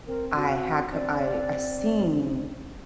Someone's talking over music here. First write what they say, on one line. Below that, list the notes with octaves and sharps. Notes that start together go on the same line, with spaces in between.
I had co I I seen
C4 A#4
F#4
C4 D5